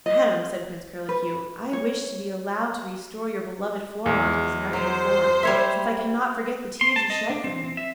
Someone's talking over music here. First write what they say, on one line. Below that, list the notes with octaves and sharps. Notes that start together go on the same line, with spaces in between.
'Madam,' said Prince Curlicue, 'I wish to be allowed to restore your beloved Florimond to his natural form, since I cannot forget the tears you shed for him.'
D#5
B4
C#5
E2 G#3
F#3 C5
G3 C#5 E5
C6
A5
D#5
D4
C4
C4
E5